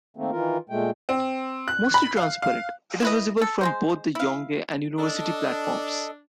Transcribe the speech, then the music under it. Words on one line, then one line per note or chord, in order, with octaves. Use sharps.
Mostly transparent, it is visible from both the Yonge and University platforms.
D#3 A3 A#3 C4
D#3 E3 F4 A#4
A#2 G#3 A3 G5
C4
F#6
B5
F5
F5
E4 B4 D#5
A4
G#3 A#3 C5
E4 F5
D4 A4 D#5